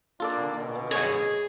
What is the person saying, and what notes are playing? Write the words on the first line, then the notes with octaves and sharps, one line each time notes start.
Oh, okay.
A#3 D4 F4 A4 D5
B2 D3
G#4 C#5